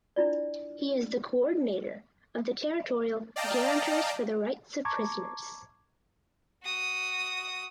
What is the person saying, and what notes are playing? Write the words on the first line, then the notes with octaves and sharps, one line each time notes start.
He is the Coordinator of the territorial guarantors for the rights of prisoners.
D4 E4 F4 D5
D5 D#5 F5 G5 A5 A#5
A5 A#5 C#6 D6 G#6
F#4 D#6